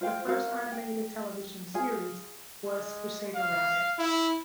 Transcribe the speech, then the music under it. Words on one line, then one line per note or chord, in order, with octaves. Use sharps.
The first animated television series was "Crusader Rabbit".
F4 C5 F5 G5
F#4 A#4 F5
G5
F4 G#4 G#5
G#3
F5
E4